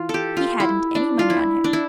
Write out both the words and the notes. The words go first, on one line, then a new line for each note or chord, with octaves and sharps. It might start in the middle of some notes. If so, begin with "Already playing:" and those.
He hadn't any money on him.
Already playing: E3 F4
G4 A4
F4
E4
D4
F4
E4
D4
E4